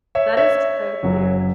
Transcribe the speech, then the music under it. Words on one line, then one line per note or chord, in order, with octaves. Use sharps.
That is so cute.
C#5 E5
C#5 E5
F#1 F#2 C#3 F#3